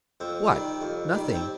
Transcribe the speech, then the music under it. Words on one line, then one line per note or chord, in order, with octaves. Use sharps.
"What! nothing!"
F2 C4
D#3 G3
F2
D#3 G3
C4